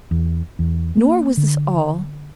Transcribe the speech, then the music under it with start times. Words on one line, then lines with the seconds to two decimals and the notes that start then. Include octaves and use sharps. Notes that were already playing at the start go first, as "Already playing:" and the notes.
Nor was this all.
0.11 E2
0.59 E2
0.97 A#3
1.37 D3